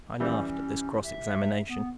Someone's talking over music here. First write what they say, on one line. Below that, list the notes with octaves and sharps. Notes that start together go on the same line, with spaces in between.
I laughed at this cross-examination.
E3 G3 C#4
E5
B3